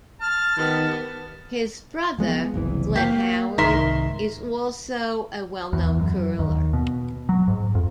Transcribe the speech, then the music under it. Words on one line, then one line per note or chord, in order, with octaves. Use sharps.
His brother, Glenn Howard, is also a well known curler.
A5 F6
D#3 B3 G4
F3 G#3 B3
F#1 C2 E3
A#3 G4 F5
C2 G#2 D#3 A#4 E5 C6
E2
F#2
D#2
B2
F#3
G#2
F2